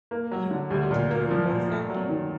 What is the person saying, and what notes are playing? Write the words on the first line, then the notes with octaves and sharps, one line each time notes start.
you wanted to do voice acting?
A#3
F#3
D3
D2
A#2
A#3
F3
A#2
A3
F#3
D#3